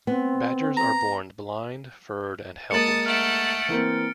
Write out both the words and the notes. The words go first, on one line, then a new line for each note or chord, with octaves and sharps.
Badgers are born blind, furred, and helpless.
B3 C4
A#5
G#3 A#3 A5 D#6 A6 C#7 F#7
A3 F#5 F6 D7
E3 A#3 C4